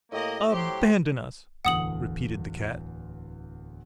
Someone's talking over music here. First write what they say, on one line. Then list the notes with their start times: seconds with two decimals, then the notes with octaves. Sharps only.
"Abandon us," repeated the Cat.
0.12 A2 A#3 G4 D#5
0.52 F#3 G4 C5 C6
1.65 D1 E2 D3 F#5 D#6 F#7